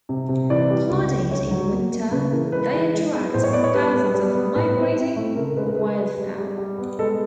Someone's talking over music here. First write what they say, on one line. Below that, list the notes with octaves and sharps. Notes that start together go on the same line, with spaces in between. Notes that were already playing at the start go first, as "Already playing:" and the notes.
Flooded in winter, they attract thousands of migrating wildfowl.
C3
C3
E3 D5
G3
C#2
C#2
D2 C#5
F#3
A#3
A#3
C#3 B4
E3 A#4
G#3 B4
E3
G#3
B3
A2 C5
C#5
B3 D5
C#5
G3 B4
B3
G3
B3
A2 B4
C4
C4
A3
C#3 A#4
A#4
G#3 B4
A#4
G#3 B4
G#3
G3
G3
G3
B3
G#3 A4